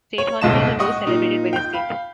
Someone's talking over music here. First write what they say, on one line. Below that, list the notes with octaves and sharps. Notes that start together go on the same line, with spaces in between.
State holidays are those celebrated by the state.
C#5
D#1 C2 G#2 D#5 A5 E7
D#5 F#5 G5 C#6 D#6
A#2 D#4
G5 G6
F5 B5